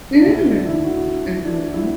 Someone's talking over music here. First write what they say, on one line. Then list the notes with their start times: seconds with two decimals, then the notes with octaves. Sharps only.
Mm, mhm.
0.14 D4
0.25 D2 D3 E4
0.45 D4
0.66 E4
0.85 F#4
1.44 D4
1.73 E4